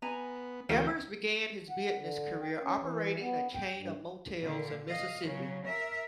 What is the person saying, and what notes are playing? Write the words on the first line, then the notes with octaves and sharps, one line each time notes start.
Ebbers began his business career operating a chain of motels in Mississippi.
B3 G#5 A#5
D2 E3 A#3 F#4 A#4 G5
F#5
D3
G5
C#4
E3
B3
G5
G2
A#2 D3
D#5 F5
C#3 F#3
A#4 E5